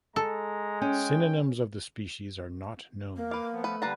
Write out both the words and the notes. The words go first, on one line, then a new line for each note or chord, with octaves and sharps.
Synonyms of the species are not known.
G#3 A4 A#5
C#4 G5
A#3
B4 F5 D6
F3 B3
A3 B4
D3 G3 A#3 B4 A5 A#5